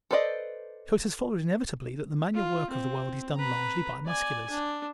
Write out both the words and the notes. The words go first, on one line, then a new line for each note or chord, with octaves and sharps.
So it has followed inevitably that the manual work of the world is done largely by Musculars.
A4 B4 C5 D5 D#5
F4
C4
B4 A#5
D5 G#5
D4